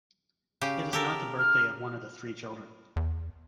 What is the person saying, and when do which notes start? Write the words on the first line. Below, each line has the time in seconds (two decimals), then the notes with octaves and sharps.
It is not the birthday of one of the three children.
0.61 C#3 G4
0.93 G4 A4 A#4
1.39 F6
2.96 E2